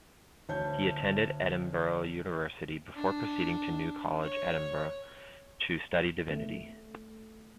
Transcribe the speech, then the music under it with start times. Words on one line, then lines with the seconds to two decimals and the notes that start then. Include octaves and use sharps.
He attended Edinburgh University, before proceeding to New College, Edinburgh to study divinity.
0.49 D2 C#5 A5 G6
2.95 D4
4.23 C#5
6.30 A3